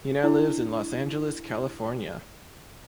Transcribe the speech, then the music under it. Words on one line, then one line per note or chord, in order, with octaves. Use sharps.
He now lives in Los Angeles, California.
D4 E4